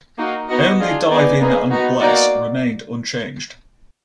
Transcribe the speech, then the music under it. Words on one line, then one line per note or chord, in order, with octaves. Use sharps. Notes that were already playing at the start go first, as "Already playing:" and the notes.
Only "Dive In" and "Bless" remained unchanged.
A#3 D#4 F#4
B3 D#4 F#4 D#5
D4 F4 G#4
B3 D#4 G#4 D5
A#3 D#4 G#4 B4
B3 D#4 F#4
A#3 D#4 F#4 D5